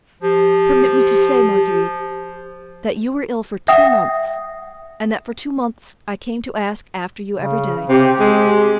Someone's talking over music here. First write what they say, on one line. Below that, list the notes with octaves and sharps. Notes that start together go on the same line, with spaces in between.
"Permit me to say, Marguerite, that you were ill for two months, and that for two months I came to ask after you every day."
F3 G4
E5 F#5 G5 D#6
C#3
C3 G4
G#3